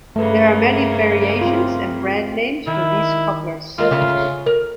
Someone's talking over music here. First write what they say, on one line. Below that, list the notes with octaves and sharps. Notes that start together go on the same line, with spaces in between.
There are many variations and brand names for these couplers.
G2 C#3 A3 A#3 B4
C4 F4
D#3 E4
D#2 G#3 F4 A#4
D2 C#3 E5
A#4